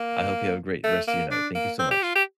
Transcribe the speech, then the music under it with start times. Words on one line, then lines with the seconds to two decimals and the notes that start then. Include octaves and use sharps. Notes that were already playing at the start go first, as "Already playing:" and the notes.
I hope you have a great rest of your night, thank you so much.
Already playing: A#3
0.84 A3
1.07 A#3
1.31 D4
1.55 A#3
1.79 C4
1.91 G4
2.03 F4
2.16 G4